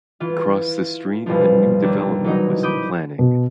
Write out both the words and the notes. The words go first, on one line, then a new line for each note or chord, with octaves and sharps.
Across the street a new development was in planning.
E3 F4
C2 G2 B2 F3
D#2 D4
E3 F#3 D#4
B5 D6 D#6 G6
B2